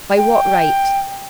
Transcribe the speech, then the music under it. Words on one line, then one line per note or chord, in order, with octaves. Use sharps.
By what right?
G5